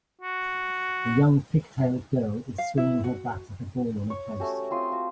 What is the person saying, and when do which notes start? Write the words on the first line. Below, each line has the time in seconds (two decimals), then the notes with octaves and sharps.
A young pigtailed girl, is swinging her bat at a ball on a post.
0.21 F#4
2.58 F5
2.77 E4
3.04 F#4
4.10 C#5
4.40 A3 C#4 F#4 G4
4.70 C4 F4 C6 D#6
4.92 F#4